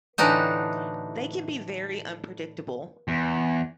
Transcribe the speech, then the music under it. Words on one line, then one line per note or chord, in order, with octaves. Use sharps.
They can be very unpredictable.
A2 D3 E3 D4 D#4 F#4
E2